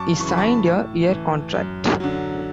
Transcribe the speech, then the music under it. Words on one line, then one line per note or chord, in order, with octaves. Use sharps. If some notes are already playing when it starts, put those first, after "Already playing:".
He signed a -year contract.
Already playing: F#2 A5 C#6 D6
C#3 E3 C#6
B5
A5 C#6
A2
E3
F#2
D3 F#3